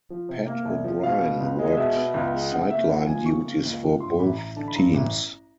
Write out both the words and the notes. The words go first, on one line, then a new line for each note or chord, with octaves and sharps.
Pat O'Brien worked sideline duties for both teams.
F3
C3
A#3
C2
F3
B2 F5
B3
C#2
G#3
D#5
B2 E5
B3
C#2
G#3
C#3 F#5
A#3 E5
C#2 F#5
F3 G#5
C#3 C#6
A#3
C#2
F3
G2 C6
A1 B5
A1 A#5
D3 A5
B5
G2 A#5
A1